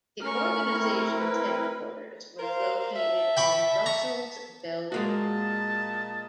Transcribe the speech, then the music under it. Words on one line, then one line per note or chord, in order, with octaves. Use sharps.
The organisation's headquarters was located in Brussels, Belgium.
A3 C#4 A#4 C#6 F6
C4 E4 A#4
B4
A#4 C5 F5
E5 A5 B6
G5 B5 C#6
A#5 C#6
A#2 G#3 A#3 F#4 D#5 A5